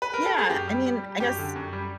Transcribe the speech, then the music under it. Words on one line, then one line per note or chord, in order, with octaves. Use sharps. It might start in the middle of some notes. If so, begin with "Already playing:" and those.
yeah, I mean, I guess
B4
A#4
A4
G#4
F#2 G4
G3
G3
G3
F#2 G4
D3
F#2
G3